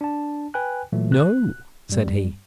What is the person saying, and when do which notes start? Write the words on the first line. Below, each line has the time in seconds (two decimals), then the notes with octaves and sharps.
"No," said he.
0.01 D4 A5
0.54 B4 G5 G#5 F#6
0.92 A#2 E3 F#3 A3
1.12 F#6
1.89 G2 G3